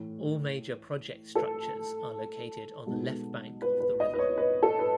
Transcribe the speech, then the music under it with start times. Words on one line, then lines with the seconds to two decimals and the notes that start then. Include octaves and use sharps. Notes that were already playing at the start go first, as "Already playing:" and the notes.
All major project structures are located on the left bank of the river.
Already playing: A2 E3 A3
1.35 A4
2.86 B2 G#3 B3 D#4
3.62 B4
3.80 B4
4.00 D#5
4.14 B4
4.19 C#5
4.38 B4
4.63 A4
4.79 B4